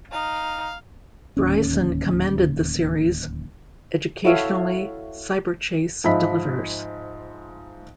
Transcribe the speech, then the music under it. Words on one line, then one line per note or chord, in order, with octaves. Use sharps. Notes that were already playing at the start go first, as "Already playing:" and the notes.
Bryson commended the series: "Educationally, "Cyberchase" delivers".
D#4 F5
D1 D#2 C#4
E4 F#4 A4 C#5 E5 F5
G#2 F3 E5 B5 B6